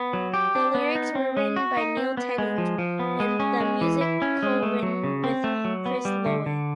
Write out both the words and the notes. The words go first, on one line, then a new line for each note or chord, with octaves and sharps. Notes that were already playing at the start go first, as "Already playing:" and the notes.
The lyrics were written by Neil Tennant and the music co-written with Chris Lowe.
Already playing: B3
F#3
G4
D4
B3
D#4
C4
G#3
F#4
D#4
C4
B3
G#3
F3
F3
B3
G#3
C#4
G#3
E3
E4
C#4
G#3
A3
F#3
C#3
C4
A3
F#3
B3
G3
D3
D3